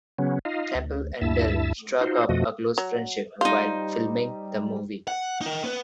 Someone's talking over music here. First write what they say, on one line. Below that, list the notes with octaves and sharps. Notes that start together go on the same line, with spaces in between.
Temple and Dell struck up a close friendship while filming the movie.
C#3 F#3 B3 C#4
D#4 F4 D#5 F5
D2
D2 G2 E4 E5 A5
D#4 F4 F#4 C5
F2 B2 F3 A3 F#4 D#5
F#3
G3 D#4 F4 C5
F#5
D#4 A#4
B3 B4